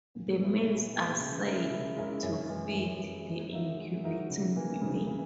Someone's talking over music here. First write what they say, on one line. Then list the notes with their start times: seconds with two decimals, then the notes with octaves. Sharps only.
The males are said to feed the incubating female.
0.15 A#2
0.42 G#3 B3 E4
0.68 A#2
0.93 G#3 B3 E4
1.20 C#3
1.46 G#3 C#4 E4 A#4
1.70 C#3
1.96 G#3 C#4 E4 A#4
2.23 F#2
2.49 E3 G#3
2.74 F#2
3.01 E3 G#3
3.26 G#3
3.52 D#4 F#4 A#4 E5
3.79 G#3
4.04 D#4 F#4 A#4 E5
4.30 C#3
4.56 E3 A#3
4.82 C#3
5.07 E3